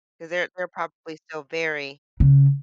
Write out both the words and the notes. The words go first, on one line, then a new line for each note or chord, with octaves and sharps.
'Cause they're they're probably still very
C#3